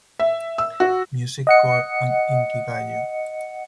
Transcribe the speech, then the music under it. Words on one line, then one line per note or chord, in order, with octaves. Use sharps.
Music Core and Inkigayo.
E5
E6
F#4
D#5 F#5 C#7